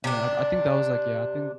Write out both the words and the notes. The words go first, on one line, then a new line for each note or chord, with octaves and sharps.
And, yeah, I I think that was, like, yeah I think
C3 D4